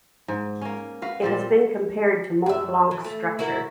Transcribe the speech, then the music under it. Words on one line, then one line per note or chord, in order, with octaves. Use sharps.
It has been compared to Mont Blanc's structure.
G#2
A#3 C#4
F#4 B4 F5
A#2 G3 C4
F#2 E5
E3
A3
E4 F#4 A#4